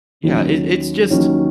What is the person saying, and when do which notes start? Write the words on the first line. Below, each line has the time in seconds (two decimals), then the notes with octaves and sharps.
Yeah, it it's just
0.23 D#2 D#3 F#3 C#4
1.11 D#2 D#3 F#3 C#4